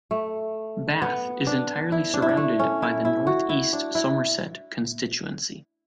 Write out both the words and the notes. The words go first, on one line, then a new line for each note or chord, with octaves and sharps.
Bath is entirely surrounded by the North East Somerset constituency.
A3
B3
D4
E4
D4
E4
D4
A3
C#4
E4
E4
F#4
E4
D4
E4